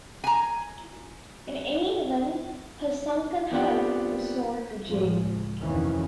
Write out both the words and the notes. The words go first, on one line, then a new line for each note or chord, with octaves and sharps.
In any event, her sunken hulk was sold to J.
G#5 A#5
B3 C4 D4 F4 G4 F#5
F2 A2 F3 G#3
C#2
F1 D2 D#3 E3 A#3 C#4